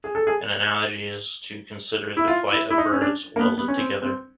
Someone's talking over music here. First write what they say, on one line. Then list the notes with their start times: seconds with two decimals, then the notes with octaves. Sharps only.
An analogy is to consider the flight of birds 'welded' together.
0.04 G#4
0.15 A4
0.27 G#4
2.17 E4
2.28 F4
2.52 E4
2.70 E4
2.78 D#4
2.92 C#4
3.02 D4
3.36 A#3
3.39 B3
3.58 B3
3.68 C#4
3.77 C4
4.02 C4